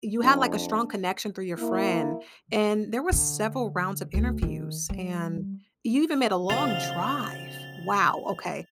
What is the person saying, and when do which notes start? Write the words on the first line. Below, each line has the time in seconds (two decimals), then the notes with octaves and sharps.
You had, like, a strong connection through your friend, and there were several rounds of interviews, and you even made a long drive! Wow, okay.
0.23 F2 D4
1.58 A#3 E4
3.12 D3
4.14 D2
4.42 D#3
4.89 G3
6.50 B1 C#3 F3 F5 D#6 A6 F7 G7